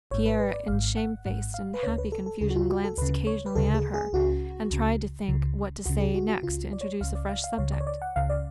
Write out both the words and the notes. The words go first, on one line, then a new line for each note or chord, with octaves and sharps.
Pierre in shamefaced and happy confusion glanced occasionally at her, and tried to think what to say next to introduce a fresh subject.
G#1 G#2 C#5
B4
B4
D5
G#1 G#2 F5
F#5
G#1 G#2 F#5
F5
B4
D2 C#3 C#5
B4
A4
A4
D2 C#3 G#4
F#4
F4
F#4
A4
D2 C#3 B4
C#5
B4
D2 C#3 A4
G#4
G#4
C#2 C#3 F#4
C#2 C#3
C#2 C#3
C#2 C#3 F#4
G#4
F#4
F#4
C#3 F4
C#2
D5
C#5
C#2 C#3 F5
D5
F5
F5
C#2 C#3 C#5
D5
C#5
D5
F#5
C#2 C#3 F5
D5